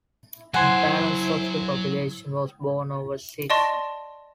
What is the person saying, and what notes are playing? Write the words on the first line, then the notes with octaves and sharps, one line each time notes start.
The balance of the population was born overseas.
F#3 E4 C5 F#5 G#5 A5 C6 G#6
D5 D#5 A5 C6 C#6 A#6